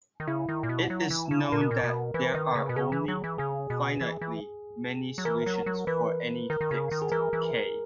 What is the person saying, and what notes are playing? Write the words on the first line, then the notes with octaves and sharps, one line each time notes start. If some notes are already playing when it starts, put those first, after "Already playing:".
It is known that there are only finitely many solutions for any fixed "k".
D#3
C#3 E4
D#3
A#2
B2
F#3
E3
C#3
A#2 A#4
B2
A#2
B2
E3 B4
D#3
C#3
B2
C#3 G#4
E3
F#3
E3
C#3 G#4
B2
E3
E3
F#3
E3 A#4
F#3
F#3
E3 B4
D#3 A#4
D#3
C#3
D#3
G#4
E3 A#4
E3